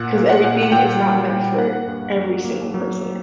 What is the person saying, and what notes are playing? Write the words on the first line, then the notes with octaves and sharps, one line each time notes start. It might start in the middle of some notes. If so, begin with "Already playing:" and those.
'cause everything is not meant for every single person.
Already playing: A#2 F#5
A#3
F#5
A#2
F#5
A#2 G5
G3
A#2
A#3 F#5
G2
F#3
A#3
F#3